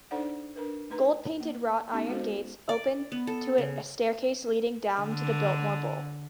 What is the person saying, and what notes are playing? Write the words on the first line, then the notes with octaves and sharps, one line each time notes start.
Gold-painted wrought iron gates open to a staircase leading down to the Biltmore Bowl.
D4 D#4 A4 C5 D5 F#5
D4 A#4 B4
A3 D#4 B4 A#5
A#3
B3 C#4 D#4 G4
G#3 F#4 A4 C5 D#5
D5
B3
A4
C#3
D3